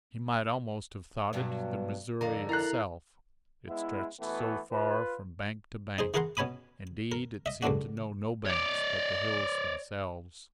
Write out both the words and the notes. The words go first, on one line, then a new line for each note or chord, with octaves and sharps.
He might almost have thought it the Missouri itself, it stretched so far from bank to bank; indeed, it seemed to know no banks but the hills themselves.
G2 B2 F#3
F2 D3 A#4 F5 A#5
E4 A4 A#4 A#5 F#6 C7
G#3 B3 E4
B2 E3 A3 B3
F4 B4
D#4 G#4 C5
E3 G#4 A#4 F#5 A#5 C6
B2 C#4 G#5 B5 D#6
A#4
D#5 E5
C#2 F#2 A2 D4 F#4
C#5 D5